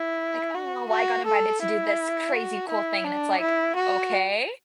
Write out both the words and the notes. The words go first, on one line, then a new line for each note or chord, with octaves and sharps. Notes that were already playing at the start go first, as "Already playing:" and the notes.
Like, "Oh, I got invited to do this crazy cool thing," and it's, like, "Okay,
Already playing: E4
F#4
F#4
A4
E4
F#4
E4
D4
E4
F#4